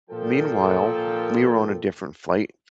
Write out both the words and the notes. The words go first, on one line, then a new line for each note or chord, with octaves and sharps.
Meanwhile, we were on a different flight.
A#2 F3 A4 G5